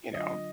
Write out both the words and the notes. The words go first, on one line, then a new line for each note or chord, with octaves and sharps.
You know?
D3 F#3 D4 F4 D#5